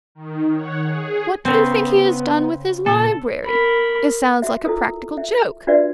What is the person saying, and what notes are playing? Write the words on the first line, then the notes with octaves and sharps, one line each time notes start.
And what do you think he has done with his library? It sounds like a practical joke.
D#3
C#5 F#5
G#4
C#3 B3 C4
A#2 A4
A#4 B5
F#4 E5
E4 F4 A4 A#4 D#6
E5
D4 F4 F#4 B4 D5 E5